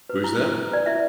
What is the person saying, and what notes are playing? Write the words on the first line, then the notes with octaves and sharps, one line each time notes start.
Who's that?
B4
E4
B4
B4
B4 D5
E4 E5